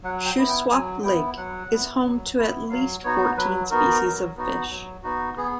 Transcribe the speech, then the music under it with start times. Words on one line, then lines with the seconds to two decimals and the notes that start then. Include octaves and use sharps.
Shuswap Lake is home to at least fourteen species of fish.
0.03 F#3 F#5
0.26 G5
0.37 B3 E4
0.48 G5
0.71 F#3 G#5
1.03 B3 E4 G5
1.37 F#3 F#5
1.71 B3 E4
2.04 F#3
2.37 B3 E4
2.70 F#3 F5
3.04 B3 D#4 F#4 C#5
3.37 F#3 B4
3.70 B3 D#4 F#4 A#4
4.04 F#3
4.37 B3 D#4 F#4
4.70 F#3
5.03 B3 D#4 F#4
5.36 B3 G#4